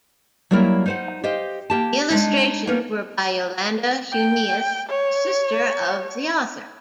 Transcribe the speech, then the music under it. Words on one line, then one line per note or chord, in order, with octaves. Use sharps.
The illustrations were by Yolanda Huneeus, a sister of the author.
F#3 G3 A#3 E4 A#4 C#5
D#4 C5 F#5
G4 C5 D#5 F5
A#3 G4 A5
G#3 A#3 D4 D#4
A#3 B3 C#4 D#4 A#4
G5
C#5